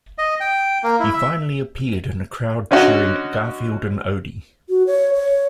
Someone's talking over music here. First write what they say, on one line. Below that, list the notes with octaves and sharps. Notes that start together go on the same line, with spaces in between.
He finally appeared in a crowd cheering Garfield and Odie.
D#5
G5
A#3
E4
E5
D3 C#4 D#4 F#4
F#4
C#5
C#5